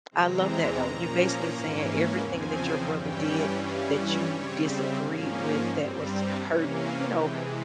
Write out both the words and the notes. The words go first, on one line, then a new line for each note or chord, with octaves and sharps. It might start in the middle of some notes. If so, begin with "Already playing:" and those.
I love that, though. You're basically saying everything that your brother did that you disagree with that was hurt you know,
E2 C3 E3 G#3 C4 A#5
A#2 F3 A#3 C#4
G#2 E3 A#3 C#4
E2 C#3 F3 C4 G#5
G2 E3 G3 C#4 G5
G2 E3 G3 C#4 F5
C#5
C#3 G3 C4 C#5
E5
G#2 F3 A#3 C#4 F5
G2 G3 C4
A#5
C3 E3 A#3 C#4 C#5
F5
C3 E3 G#3 G5